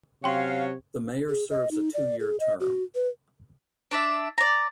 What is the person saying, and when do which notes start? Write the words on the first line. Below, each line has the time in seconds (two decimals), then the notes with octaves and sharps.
The mayor serves a two-year term.
0.24 C3 F#3 C#4 C#5 F5 G5 C6
1.29 G#4
1.50 D#5
1.71 D#4
1.94 D5
2.20 G#4
2.40 D#5
2.60 F#4
2.95 B4
3.91 D4 D5 E5
4.38 D5 A#5